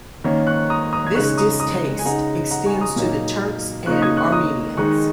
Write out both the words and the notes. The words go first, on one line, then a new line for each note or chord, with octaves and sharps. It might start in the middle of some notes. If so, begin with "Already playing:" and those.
This distaste extends to the Turks and Armenians.
D#3 A#3 C#4
C#6 F#6
A#5 D#6
A#5 D#6
G#6
C#3 G#3 D#4 C#6 F#6
A#5 D#6
A#5 D#6
G#5
C#3 G#3 D#4 F#5 A#5
F#5 A#5
G#5 C#6
A#5 D#6
A#2 F#3 A#3 D#4
C#3 A#3 D#4 C#6 F#6
D#6 G#6
C#6 F#6
A#5 D#6
D#3 G#3 D#4 C#6 F#6